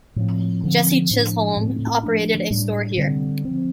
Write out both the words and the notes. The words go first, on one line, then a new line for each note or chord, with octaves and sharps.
Jesse Chisholm operated a store here.
A2 F3 C4
D3 F3 C4
A2 F3 D4
A2 A3 C4
F3 A3 D4
A2 G3 D4
D3 G3 C4
F3 C4